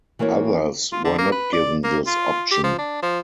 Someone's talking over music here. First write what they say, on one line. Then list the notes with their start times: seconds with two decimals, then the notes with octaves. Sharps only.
Others were not given this option.
0.19 E3 A#3 F#4 A#4 C#5
0.92 F4
1.05 D3
1.18 A#3
1.32 B4
1.53 D5
1.84 A#3
2.07 F4
2.52 G4
2.64 F3
2.78 D4
3.02 F3